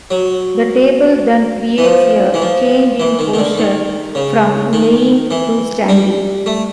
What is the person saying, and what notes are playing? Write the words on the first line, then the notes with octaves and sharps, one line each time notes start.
The table then creates a change in posture from lying to standing.
F#3
E3
F3
E3
F3
E3
D#3
D#3
D3
D#3
C#3
D#3
E3
G3
A3